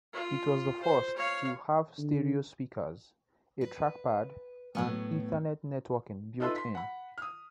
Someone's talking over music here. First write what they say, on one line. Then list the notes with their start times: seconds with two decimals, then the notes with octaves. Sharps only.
It was the first to have stereo speakers, a trackpad, and Ethernet networking built-in.
0.13 F4
0.83 C5
1.16 C#5 F5
1.98 D3
3.61 B4
4.75 A2 F#3 B3
6.40 D#4 F4 A4 B4 E5 C6
6.56 C6 B6
6.75 F#5 B5
7.18 D#6 F6